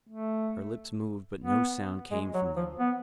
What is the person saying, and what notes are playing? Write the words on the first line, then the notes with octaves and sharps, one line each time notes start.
Her lips moved; but no sound came from them.
A3
B3
G#3
F#3
F3
B3